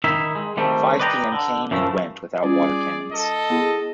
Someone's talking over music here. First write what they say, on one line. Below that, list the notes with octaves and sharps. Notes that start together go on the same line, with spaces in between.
Five p.m. came and went without water cannons.
D#3 D#4 E4 E5
G#3
D#3 G3 A3 C4
B4 D5 D#5 G5 A5 A#5
D3
F#2 E3 F3 A3
G3 C#4 F4 G#4 D5
A4 D#5
B3 E4 G#4